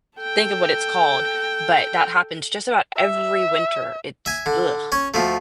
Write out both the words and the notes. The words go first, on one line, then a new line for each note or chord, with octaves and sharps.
think of what it's called, but that happens just about every winter. It's blegh.
A4 G5
E5
E5 G#5
D3
C#4 C#5
D2 F3 A3